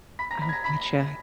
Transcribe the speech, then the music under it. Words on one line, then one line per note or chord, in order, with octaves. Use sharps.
Oh, gotcha.
B5 B6
A#5 A#6
B5 B6
G#6
A#5 A#6
B5 B6